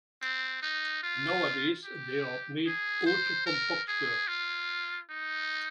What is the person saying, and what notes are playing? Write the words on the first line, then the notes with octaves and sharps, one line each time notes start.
Nowadays they are made also from fox fur.
C4
D#4
F4
G4
G#4
C5
A#4
G#4
F4
D#4